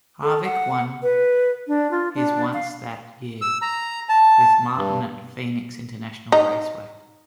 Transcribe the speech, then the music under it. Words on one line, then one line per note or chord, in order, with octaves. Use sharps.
Harvick won his once that year with Martin at Phoenix International Raceway.
A4
F#5
B4
D4
F4
D4
F5
E6
A#5
A5
G2
D#4